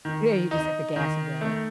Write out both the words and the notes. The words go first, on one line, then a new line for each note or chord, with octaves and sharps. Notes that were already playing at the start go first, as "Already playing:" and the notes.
Yeah, you just hit the gas and go.
D#3
D#4
D#3
A3